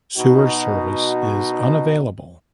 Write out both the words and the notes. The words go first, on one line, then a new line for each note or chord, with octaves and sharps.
Sewer service is unavailable.
B2 D#4 F#4